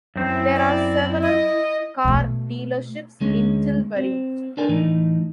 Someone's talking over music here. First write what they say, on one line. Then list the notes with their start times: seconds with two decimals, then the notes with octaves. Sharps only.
There are several car dealerships in Tilbury.
0.16 F#2 C4 E4
0.55 D5
1.22 D#5
2.05 B2 A3
3.21 D2 G#3 C#4
3.97 C4
4.57 D4 A4 A#4 D5 G#5
4.69 A2 E3 D#4